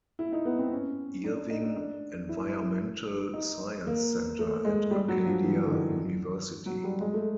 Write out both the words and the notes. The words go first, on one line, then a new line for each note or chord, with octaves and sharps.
Irving Environmental Science Centre at Acadia University.
E4
D#4
B3
C4
C#4
D4
D4
D#4
D4
D4
E4
D#4
A#3
A3
G#3
G3
F#3
F3
E3
D3
D#3
F#3
G3
G#3
A3